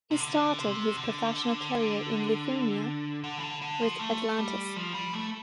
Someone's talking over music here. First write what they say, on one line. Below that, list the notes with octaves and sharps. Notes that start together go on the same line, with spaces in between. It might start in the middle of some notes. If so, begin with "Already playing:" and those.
He started his professional career in Lithuania with Atlantas.
C3
D3
C3
D3
D3
E3
D3
D3
F3
A3
G3
F3
G3
A3